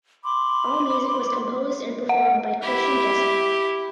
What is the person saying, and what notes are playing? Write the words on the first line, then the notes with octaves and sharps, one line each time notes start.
All music was composed and performed by Christian Jessup.
B5 C6 D6
D#5 F#5
E4 G4